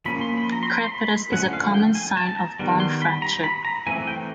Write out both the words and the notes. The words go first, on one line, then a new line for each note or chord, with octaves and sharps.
Crepitus is a common sign of bone fracture.
F3 A#3 C#4 B5
C6
B5
A#5
C6
B5
C6
B5
D3 F3 A3 C#4 F#5
F5
G5
G#5
A5
A5
A#5
D#3 G3 B3
C6
B5
A#5
B5
A#5
E3 A3 C4 G#5
G5